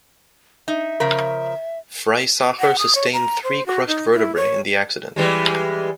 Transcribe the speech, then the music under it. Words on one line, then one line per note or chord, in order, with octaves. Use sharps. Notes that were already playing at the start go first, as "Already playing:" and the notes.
Friesacher sustained three crushed vertebrae in the accident.
D#4 E5
C#3 F3 A#4
F#5
D#6
C#5
A#5
C5
F#4
D#4
E4
C#5
E3 G3 G#3